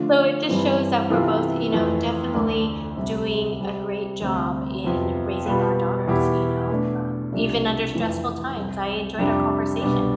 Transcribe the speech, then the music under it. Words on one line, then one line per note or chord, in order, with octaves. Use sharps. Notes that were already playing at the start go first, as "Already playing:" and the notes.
so it just shows that we're both, you know, definitely doing a great job in raising our daughters, you know, um, even under stressful times. I enjoyed our conversation.
Already playing: D3 F3 A3 D4 F4
G2 E3 G3 C4
C3 E3 B3 F4 A4
F2 E3 A3
D2 D3 A3 D4
C2 C3 G3
C3 G3 C4
D2 C3 G3 C4
F2 C3 F3 B3
B2 G3 B3 F4 B4
E2 B2 B3 E4 G4
B2 A3 D4
C2 C3 F3 A3 D4
F2 E3 A3
C2 C3 G3
F2 C3 G3 D4 G4
C2 B2 G3 D4